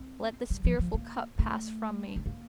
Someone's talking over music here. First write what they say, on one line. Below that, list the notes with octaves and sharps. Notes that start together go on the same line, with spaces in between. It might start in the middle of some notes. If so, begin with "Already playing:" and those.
Let this fearful cup pass from me!
Already playing: C4
G3
F3
F3
A#3
A3
C4
A#3